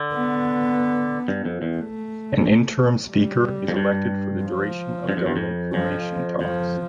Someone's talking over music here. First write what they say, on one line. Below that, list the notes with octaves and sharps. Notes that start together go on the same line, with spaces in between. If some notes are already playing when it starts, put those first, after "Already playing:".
An interim speaker is elected for the duration of government formation talks.
Already playing: D3
B3
G2
F2
E2
A3
G3
F2
G2
F3
G2
F2
E2
F2
F2 F3
F2 F3